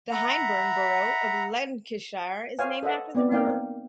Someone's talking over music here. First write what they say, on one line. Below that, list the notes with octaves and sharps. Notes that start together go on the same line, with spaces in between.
The Hyndburn borough of Lancashire is named after the river.
E5 F#5 A#5 B5
C5 C#5 F5 G#5
A4 D#5 E5 F#5
B3 C4 D5
A#3 C4 D#4 D5 F5 G5